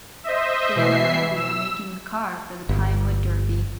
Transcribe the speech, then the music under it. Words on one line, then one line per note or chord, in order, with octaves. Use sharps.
Stan and Randy are making a car for the Pinewood Derby.
C5 D#5 E5
B2 E3 E5 C7
E6
G1